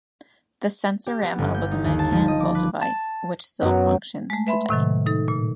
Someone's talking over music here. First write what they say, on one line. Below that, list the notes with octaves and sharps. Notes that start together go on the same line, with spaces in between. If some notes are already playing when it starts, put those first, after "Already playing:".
The Sensorama was a mechanical device, which still functions today.
G4
B3
G1
G6
D#4
D#2
A5
F3
D#5
D6
B4
A5
F#2 F#3 B3
G#3 A3
B4 E5 B5 C6
A2 C3 D#3 F#3
D#4 A4
A#2